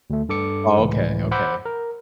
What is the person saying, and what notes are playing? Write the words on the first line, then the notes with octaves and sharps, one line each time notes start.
Oh, okay, okay.
D2 A3
G2 A4 D6 C#7
C#2 A2 E3
C5 F#5 B5 D6 E6 G6
A#4